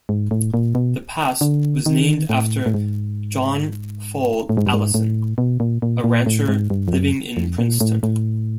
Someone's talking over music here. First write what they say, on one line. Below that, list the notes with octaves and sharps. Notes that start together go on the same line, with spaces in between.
The pass was named after John Fall Allison, a rancher living in Princeton.
G#2
A2
A#2
B2
D3
D#3
A2
A2
G#2
A2
G#2
G2
G#2
A2
B2
A#2
A#2
A#2
A2
G#2
G2
F2
F#2
F2
A#2
A2
A2